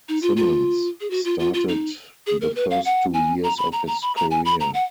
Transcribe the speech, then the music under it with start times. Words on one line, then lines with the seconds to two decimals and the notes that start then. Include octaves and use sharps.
Simmons started the first two years of his career.
0.09 D#4
0.22 F4
0.37 F4
1.01 G#4
1.11 F#4
1.25 F4
1.39 F4
1.54 F4
1.68 D#4
2.27 G#4
2.41 A#4
2.56 B4
2.71 F5
2.85 F#5
3.14 G#5
3.44 A#5
3.58 B5
3.72 A#5
3.87 A#5
4.02 B5
4.16 A#5
4.31 G#5
4.45 B5
4.60 A#5
4.74 F#5